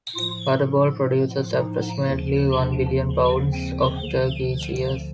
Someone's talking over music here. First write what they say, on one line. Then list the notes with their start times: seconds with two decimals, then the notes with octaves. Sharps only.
Butterball produces approximately one billion pounds of turkey each year.
0.15 A2 F3 F4
1.60 D#4
2.08 D#2 C#3 F3
2.57 D4
3.53 C4
4.01 D2 D3 F3